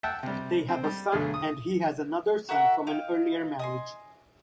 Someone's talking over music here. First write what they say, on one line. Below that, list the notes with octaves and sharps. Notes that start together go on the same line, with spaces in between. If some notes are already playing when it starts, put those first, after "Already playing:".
They have a son, and he has another son from an earlier marriage.
E5 F#5 G5 A5
C3 G3
C4
G3
B1 D3 A3 G#4
D#6
F#4 A#4 E5 F#5
D#4 F5 G5
D#5 G#5 C6